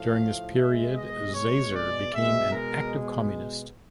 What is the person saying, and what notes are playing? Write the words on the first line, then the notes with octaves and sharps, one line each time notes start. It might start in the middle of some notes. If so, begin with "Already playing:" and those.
During this period, Zaisser became an active communist.
Already playing: A2 F3 A3 F5
B2 G#3 E5
D#5
C#5
D5
B2 G#3 E5
A#4